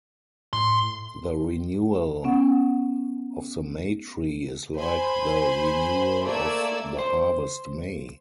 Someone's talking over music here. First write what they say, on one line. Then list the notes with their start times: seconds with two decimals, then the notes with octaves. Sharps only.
The renewal of the May-tree is like the renewal of the Harvest-May.
0.53 A2 C6
2.24 B3 C#4 F#5
4.77 C5 G#5 B5 C6
6.26 A3 A#3 D5 E6 G#6
6.99 C5